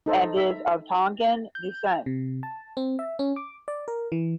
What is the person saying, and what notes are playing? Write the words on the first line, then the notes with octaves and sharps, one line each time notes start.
And is of Tongan descent.
D#4 A4 C5
E5
G6
C3
A5
C4
E5
C#4
D6
D5
A#4
E3